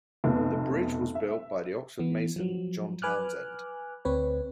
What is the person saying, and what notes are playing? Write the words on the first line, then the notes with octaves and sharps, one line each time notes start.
The bridge was built by the Oxford mason John Townesend.
F1 B2
E5
E3 B3
F3 F#3
B4 G#5 D6 F6 F#6
D2 C4 B4 C#5